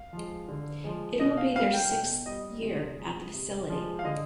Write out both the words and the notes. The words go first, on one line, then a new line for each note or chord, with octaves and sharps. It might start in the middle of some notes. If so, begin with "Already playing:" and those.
It will be their sixth year at the facility.
Already playing: F5
F3 G#3
D3
F3 G#3
B2 D#5
F5
G3 F5
G5
B2 G5
G3 D#5
C3
F3 G#3
C3
F3 G#3
F5
D3 D#5